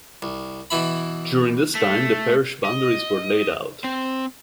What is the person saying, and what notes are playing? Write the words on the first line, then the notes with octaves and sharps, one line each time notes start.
During this time the parish boundaries where laid out.
C2
B2 E3 E4 B5
A3
D#5
C4